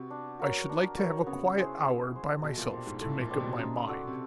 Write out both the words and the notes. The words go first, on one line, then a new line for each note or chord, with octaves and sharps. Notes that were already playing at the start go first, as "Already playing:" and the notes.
I should like to have a quiet hour by myself to make up my mind.
Already playing: C3 B3 F#4
D4
F#4 A#4 C#5
D4
F#4 A#4 C#5
C#3 B3
E4 G#4 C5
B3
E4 G#4 C5
B2 A3
A#2
D4 G4 C5
G#2
A2 A3
A#2
D4 G4 C5
B2
C#3 D#4
F#4 A4 D5
C3